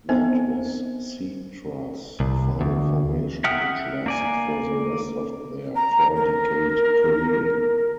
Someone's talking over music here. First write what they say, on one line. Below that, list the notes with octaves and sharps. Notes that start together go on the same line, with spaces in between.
That was Cetra's final formation, which lasted for the rest of their four-decade career.
B3 C4 C5
C2
D2
E5 F#5 G5 D#6 F6
A#3 D5 G#5
A#5
A#4